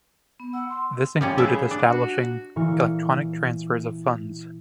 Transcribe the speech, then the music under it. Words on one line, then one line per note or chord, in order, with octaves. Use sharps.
This included establishing electronic transfers of funds.
B3
F#5 E6
C6
F3 G3 C#4
C#3 E4 E5 A5
D4
F#4
A#2 E3 C#6 F6